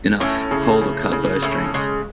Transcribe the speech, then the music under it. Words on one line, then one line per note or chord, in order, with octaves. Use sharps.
Enough; hold or cut bow-strings.
A2 C#4
C#3
C#3
C#3
A2 C#4
C#3 G#3